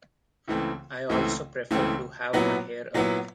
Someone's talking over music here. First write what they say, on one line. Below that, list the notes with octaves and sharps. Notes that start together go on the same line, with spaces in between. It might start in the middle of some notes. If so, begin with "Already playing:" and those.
I also prefer to have my hair up.
C#2 C#3 E3 A3 C4
C#2 C#3 E3 A3 C4
C#2 C#3 E3 A3 C4
A#2 F#3 B3 E4
A#2 F#3 B3 E4